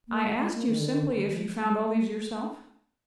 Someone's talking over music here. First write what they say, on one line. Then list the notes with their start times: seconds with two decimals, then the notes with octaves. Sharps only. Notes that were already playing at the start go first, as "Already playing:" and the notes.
'I asked you, simply, if you found all these yourself?'
0.08 A#3
0.23 G#3
0.38 G#3
0.54 A#3
0.69 D#3
0.79 D3
0.89 D#3
1.00 D3
1.15 D#3
1.31 F3
1.62 G3
1.92 A#3